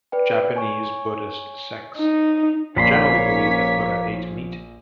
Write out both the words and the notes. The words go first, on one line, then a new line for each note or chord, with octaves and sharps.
Japanese Buddhist sects generally believe that Buddha ate meat.
B4 D5 G5
C#5 G#5 C#6
D#4
A#1 F3 A#3 C#4 C#5 B5 C6 B6